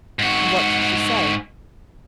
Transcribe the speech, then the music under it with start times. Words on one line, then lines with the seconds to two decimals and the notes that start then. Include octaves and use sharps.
"And what did she say?"
0.19 G#2 F#4